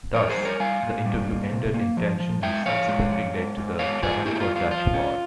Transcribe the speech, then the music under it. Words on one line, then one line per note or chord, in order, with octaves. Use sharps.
Thus, the interview ended in tension and subsequently led to the Travancore-Dutch War.
F2 A#4 C#5
G#4 C5
G3
A#4 C#5
G3 F5 G#5
A#2
G3
A#3
C3
A#3
F3
F3
G#3 E5 G5
F3 C#5 F5
G#3
F2
G#2
G#2
G#2 C#5 F5
G#2 F4 G#4
A#3 E4 G4
G4
F4
G2
F4
F3 F4
C#4